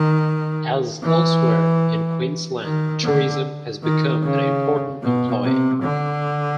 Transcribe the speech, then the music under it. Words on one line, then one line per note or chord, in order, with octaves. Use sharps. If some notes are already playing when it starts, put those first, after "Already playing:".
As elsewhere in Queensland, tourism has become an important employer.
Already playing: D#3
E3
D#3
D3
D#3
C#3
B2
C3
D3